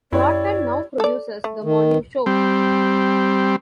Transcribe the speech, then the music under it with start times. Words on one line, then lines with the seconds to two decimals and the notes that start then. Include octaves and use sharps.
Roten now produces the morning show.
0.13 F#2 E4 G4 C#5 D5
1.00 A4 D5
1.44 A3
1.64 D#3
2.26 G3 C4